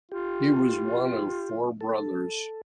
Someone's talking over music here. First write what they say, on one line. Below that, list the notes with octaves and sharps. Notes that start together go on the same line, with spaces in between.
He was one of four brothers.
F4 G4
A4